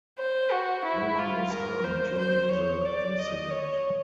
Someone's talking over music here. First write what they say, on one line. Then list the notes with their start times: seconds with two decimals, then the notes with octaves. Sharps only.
No one was harmed during the incident.
0.18 C5
0.52 F#4
0.85 E4
1.18 F4
1.51 A#4
1.84 C5
2.18 C5
2.52 C#5
2.85 D5
3.18 D#5
3.51 C#5